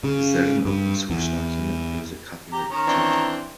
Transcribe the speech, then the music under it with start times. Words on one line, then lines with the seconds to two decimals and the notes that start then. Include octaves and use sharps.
Is that an open source document, or is it copyright-protected?
0.04 C#3
0.65 G2
1.10 E2
2.52 G4 A#5
2.71 D#3 C#4 A#5
2.87 E3 C4 D4